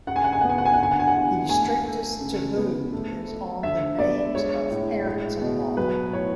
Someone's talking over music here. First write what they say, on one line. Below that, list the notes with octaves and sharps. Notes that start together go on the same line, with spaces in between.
The strictest taboo is on the names of parents-in-law.
C#3 F#5
G#5
F#5
G#5
B3 F#5
G#5
F#5
G#5
F#5
D3 G#5
F#5
G#5
F#5
E2
A3 G#5
A3
C#3
B3
A3
A3
D3 E5
B3 D5
G#3 C#5
A2
G#3
B2
F#3 B4
A2 C#5